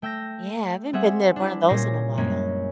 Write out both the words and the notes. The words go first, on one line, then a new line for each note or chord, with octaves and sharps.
Yeah, I haven't been there in one of those in a while.
A3 G5 E6 G6 A#6
G3 C4 G#4 E5 F#5
D4 E4
A#2 G3 C#4 G4 A#6 C7
F#2 G#3 A#3 C#4